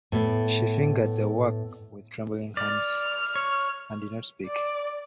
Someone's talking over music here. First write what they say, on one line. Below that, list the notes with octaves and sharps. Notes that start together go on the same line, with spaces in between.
She fingered the work with trembling hands, and did not speak.
A2 B3
D5 F6
C#5
D5